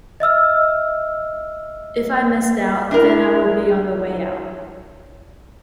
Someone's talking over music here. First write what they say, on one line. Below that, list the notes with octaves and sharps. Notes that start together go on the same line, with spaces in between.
If I missed out then I would be on the way out.
D#5 E5 E6 F6
D4 E4 A#4